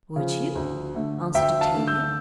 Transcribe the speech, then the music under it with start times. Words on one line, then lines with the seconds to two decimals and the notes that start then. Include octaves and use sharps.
"Would you?" answered Octavia.
0.16 C#3 F3
0.55 D2
0.95 D3 A3
1.34 D2 E5 G5
1.61 F5 A5
1.74 D3 A3
1.87 E6 G6